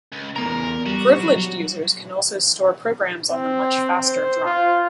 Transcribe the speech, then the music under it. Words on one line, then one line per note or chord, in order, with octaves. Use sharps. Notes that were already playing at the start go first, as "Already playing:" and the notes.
Privileged users can also store programs on the much-faster drum.
C#2
E2 B3 A#4 A#5
G3 F#4
F#3
C4
C5
F4